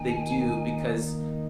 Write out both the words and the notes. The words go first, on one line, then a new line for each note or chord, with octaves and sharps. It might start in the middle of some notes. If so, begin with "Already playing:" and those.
They do, because
Already playing: D#3 A#3 D#4 G#5